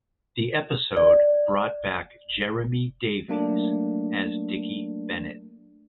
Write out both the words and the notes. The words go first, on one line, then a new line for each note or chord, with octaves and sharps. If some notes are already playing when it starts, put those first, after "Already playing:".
The episode brought back Jeremy Davies as Dickie Bennett.
D5
F#3 A3 A#3 D4